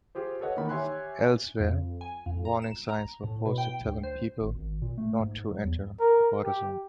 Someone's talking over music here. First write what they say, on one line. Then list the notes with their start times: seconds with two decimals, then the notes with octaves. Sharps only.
Elsewhere, warning signs were posted telling people not to enter the border zone.
0.15 F4 G4 G#4 C5
0.41 A4 B4 C#5 D#5 F#5
0.57 D#3 E3 A#3 D#4 B5
0.69 G4 C#5 E5 G#5 C6 F#6
1.60 F2
2.01 G#5
2.26 F2
2.45 A#5
2.62 E7
2.89 A#5
3.24 A2
3.46 B2
3.58 G5
3.86 D2
4.03 C5
4.41 G#1
4.55 G#1
4.82 A#2
4.98 A3
5.20 G#2
5.51 F#3
5.64 E2
6.00 A#4
6.44 G4